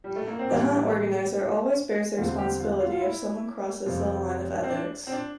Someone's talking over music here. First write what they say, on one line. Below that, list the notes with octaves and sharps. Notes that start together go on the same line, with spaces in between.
The hunt organizer always bears the responsibility if someone crosses the line of ethics.
G3
A3
A#3
C4
A2 E3 G3 A#3 D4 E4
E2 D3 G3 C4 F4
G4
F4
F4
F4
E4
F2 C3 G3 C4 F4
C4
D4
C4
D4